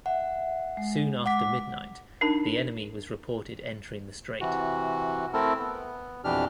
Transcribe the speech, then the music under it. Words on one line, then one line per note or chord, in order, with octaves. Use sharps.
Soon after midnight the enemy was reported entering the strait.
E5 F#5
G#3
F#5 D6 B6
D4 D#4 A#4 A5
C3 E3 F#4
A3 C4 E4 A4 A#4
B3
F2 B2 E3 D4 G4 F6